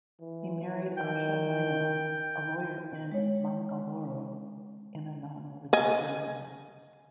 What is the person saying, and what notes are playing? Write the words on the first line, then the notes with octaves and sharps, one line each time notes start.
He married Asha Nayak, a lawyer in Mangaluru in a non-religious ceremony.
E3
D#3 G5
G#3 C#5
D#5 G#5